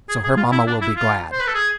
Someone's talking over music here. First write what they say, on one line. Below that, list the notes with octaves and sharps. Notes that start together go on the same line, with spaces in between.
So, her mamma will be glad.
G#4
G#4
F4
E4
D4
E4
F4
C5
B4
A4
G#4